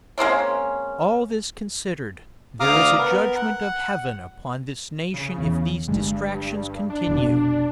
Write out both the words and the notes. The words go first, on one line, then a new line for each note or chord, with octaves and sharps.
All this considered, there is a judgment of Heaven upon this nation if these distractions continue.
G#3 A#3 C4 C#4
D2 F5 A#5 D6 D#6 F6
B3 A#4
F#5
C#3
E2
G1 G2 G#3
D4
F1 B2